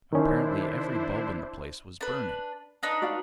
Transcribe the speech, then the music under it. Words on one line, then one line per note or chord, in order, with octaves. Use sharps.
Apparently every bulb in the place was burning.
D#3 C#4 D4 E4 C5
D4 B4
D4 D#4 B4
F#4 D5 F5